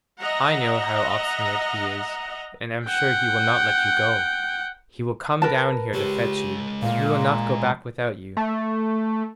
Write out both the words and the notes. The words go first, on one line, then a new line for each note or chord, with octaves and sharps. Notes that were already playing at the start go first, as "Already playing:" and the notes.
I know how obstinate he is, and am sure he will not let you go; he will come down here to fetch you, and he will not go back without you.
D#5 E5 F#5 A#5
F#5 G5
A#4 B4 A5
G#3 G4 C#5
A#2 F5
A3